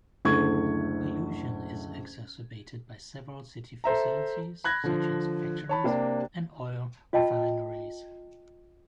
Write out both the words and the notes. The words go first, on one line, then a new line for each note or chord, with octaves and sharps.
Pollution is exacerbated by several city facilities such as factories and oil refineries.
F#1 D2 A3 E4 C#6 G#6
A4 C5 E5 A#5
B5 F#6 G#6 A#6
D3 F3
C#5 A5 B5
C3 A#3 D4
F4 D#5 G5 A5